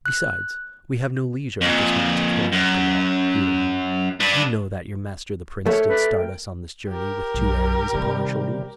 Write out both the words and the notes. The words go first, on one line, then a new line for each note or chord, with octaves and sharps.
"Besides, we have no leisure at this moment to carry out the law," he went on. "You know that your master the Prince did start us on this journey with two errands upon our shoulders."
F#6
F2 A#2
F#2
D4 B4
A3 A#4 C#5
D4 B4
A#4 G5
G4 A#4
B1
C3 D#3 G3